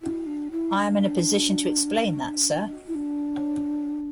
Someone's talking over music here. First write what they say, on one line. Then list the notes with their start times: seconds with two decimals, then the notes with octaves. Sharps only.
I am in a position to explain that, sir.
0.02 E4
0.26 D4
0.51 E4
0.75 D4
2.88 E4
2.95 D4